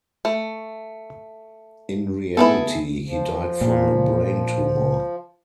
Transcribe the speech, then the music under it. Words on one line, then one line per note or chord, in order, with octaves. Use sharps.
In reality, he died from a brain tumor.
A3
B3 E4 G#4 A4
F3
A#2